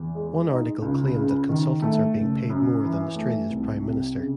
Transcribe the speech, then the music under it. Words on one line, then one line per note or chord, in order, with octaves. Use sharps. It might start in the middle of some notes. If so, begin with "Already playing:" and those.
One article claimed that consultants are being paid more than Australia's Prime Minister.
Already playing: E2
G#3
D#4
C#2
C#3
D#3
A3
F#1
F#2
E3
A3
C2
C3
C#3